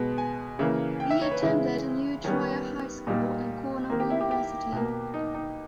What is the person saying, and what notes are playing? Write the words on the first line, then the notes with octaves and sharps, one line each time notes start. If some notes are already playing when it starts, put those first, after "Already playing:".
He attended New Trier High School and Cornell University.
Already playing: B2 G#3 B3
G#5
C#3 E3 A#3
G5
E5
C#5
B4
C#3 E3 G#3 E4
D#3 G3 B3 C#4
A#2 G3 A#3 D#4
D#3 A#3
G4
E4
G4
G4
B2 A#3
D#4
D#4